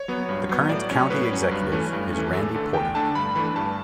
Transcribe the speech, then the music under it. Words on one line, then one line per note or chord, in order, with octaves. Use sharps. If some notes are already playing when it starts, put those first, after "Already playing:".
The current county executive is Randy Porter.
Already playing: C#5
F#3 B3
G2
F#3 B3
A2 D5
F#3 C#4 C#5
A2 B4
F#3 C#4
G2
E3 A3 C#4
G2
E3 A3 C#4
E2 A4
D3 A3 D4
E2 G5
D3 A3 D4 A5
G2 B5
E3 A3 D4 B5
G2 A5